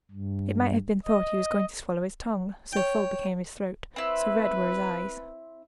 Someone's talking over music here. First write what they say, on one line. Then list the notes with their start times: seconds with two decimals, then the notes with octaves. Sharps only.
It might have been thought he was going to swallow his tongue, so full became his throat, so red were his eyes!
0.11 G2
1.05 D#5
2.73 C#5 G5
3.96 C4 E4 B4